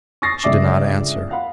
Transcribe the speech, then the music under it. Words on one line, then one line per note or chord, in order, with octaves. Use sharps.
She did not answer.
C#6 D#6 A6 A#6 C7
G1 C#2 D5 E5 D6
F5 F#5 B5